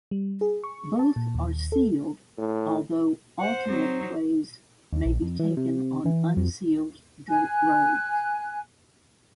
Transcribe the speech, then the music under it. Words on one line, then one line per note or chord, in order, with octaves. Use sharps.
Both are sealed, although alternate ways may be taken on unsealed dirt roads.
G3
G#4
C#6
A5
A#2
D#2
A4
A2
C5 F#5
F#3 C4 D#4
D#2
A#1
F2
E3
C3
E3
F2
G#5 F#6